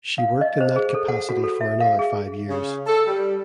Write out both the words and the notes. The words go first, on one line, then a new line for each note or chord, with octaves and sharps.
She worked in that capacity for another five years.
F5
D#5
C5
G#4
A4
F#5
F#4
A4
E5
F5
G#4
C#3
A4
G3